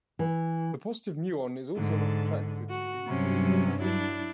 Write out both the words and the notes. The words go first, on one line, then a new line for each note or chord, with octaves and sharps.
The positive muon is also not attracted to the nucleus of atoms.
E3
G#2 D3
F#4
G2 C3 F#3 C#4
D4 E4